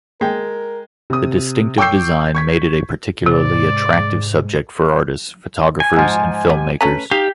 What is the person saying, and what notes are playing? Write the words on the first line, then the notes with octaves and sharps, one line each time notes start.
The distinctive design made it a particularly attractive subject for artists, photographers and film-makers.
G#3 A#4 G5
C3 D#6
G5 C#6 D6 E6 G6 C7
C#6 G#6 B6
G#2 C3 D5
G#5
G#2 F3
G4
A3 C#4 B4 A#5
D#4 G4 F5